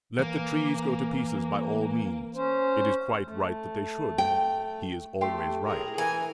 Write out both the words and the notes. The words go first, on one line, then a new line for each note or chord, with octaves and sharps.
Let the trees go to pieces, by all means; it is quite right they should; he is always right.
E3 A#3
C#4 C5
A3
G5
A3 G4 C6
A2 G#4 A#4
E3 A#4 G#5